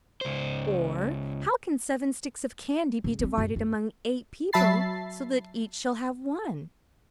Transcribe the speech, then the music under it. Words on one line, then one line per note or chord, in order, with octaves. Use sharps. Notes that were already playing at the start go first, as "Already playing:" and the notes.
Or, how can seven sticks of candy be divided among eight people so that each shall have one?
C#2 C5
C#3
C4 D#4
F#2
F#2
F#3 E5 A5 B5 A6 C7